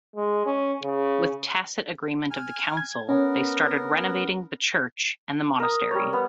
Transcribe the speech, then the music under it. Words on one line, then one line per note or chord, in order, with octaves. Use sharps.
With tacit agreement of the council, they started renovating the church and the monastery.
G#3
C#4
C#3
G#5 F6
G#6
B3 C#4 A#4
A#4 D#6
G3 C#5
B3